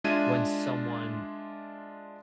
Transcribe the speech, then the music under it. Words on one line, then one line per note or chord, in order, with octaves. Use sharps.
when someone
G#3 D4 F4 E5 G#6 D#7